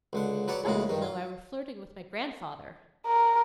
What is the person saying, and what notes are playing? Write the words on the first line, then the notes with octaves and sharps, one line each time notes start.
I felt as though I were flirting with my grandfather.
C#2 D3 F#5
F#3 B4 C#5 D5 F#5
A#1 A2 C#3 G#3 F#4
G2 D#3
F4
A#4